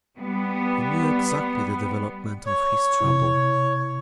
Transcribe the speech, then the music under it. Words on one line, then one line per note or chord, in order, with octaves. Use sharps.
He knew exactly the development of his trouble.
G3 B3
C#5
C3 E4